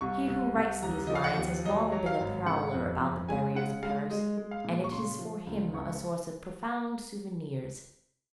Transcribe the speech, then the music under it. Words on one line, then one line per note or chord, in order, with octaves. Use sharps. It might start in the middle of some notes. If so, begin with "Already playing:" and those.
He who writes these lines has long been a prowler about the barriers of Paris, and it is for him a source of profound souvenirs.
C2 C#6
C2
C2
D#2 A#5
F3 D#5
F5
F#5
D#2
F#3 D#5
F#3
F5
G#1
C#3 F#5
F2
F2
G#3 G#5
C#3 F#5
G#3 F5
G#3 D#5
G#3
F5
A#2
C#6
C#3 C6
F3
C#2
C#2 C#6